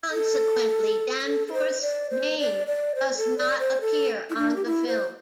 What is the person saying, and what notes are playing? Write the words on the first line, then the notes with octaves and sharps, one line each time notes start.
Consequently, Danforth's name does not appear on the film.
A4
A4
A4
C5
D5
C5
D5
D5
C5
A4
D5
C5
A4
E4
D4
G4
E4
C5